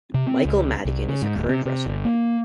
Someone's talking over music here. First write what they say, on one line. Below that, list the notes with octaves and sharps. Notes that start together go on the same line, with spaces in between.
Michael Madigan is a Current resident.
C3
C4
C#2
C2
C#3
G#2
D1
C3
C3
G1
A#3